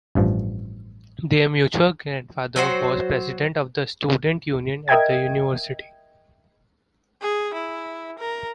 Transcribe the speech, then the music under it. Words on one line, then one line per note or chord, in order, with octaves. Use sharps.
Their mutual grandfather was president of the students union at the University.
A1 G2 F3
F#3 F#4 C5 G5
A#4 D#5 E5 G5 G#6
G#4
E4
A#4